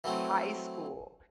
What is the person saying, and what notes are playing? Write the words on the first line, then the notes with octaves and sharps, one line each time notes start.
high school,
E3 F#3 A3 C4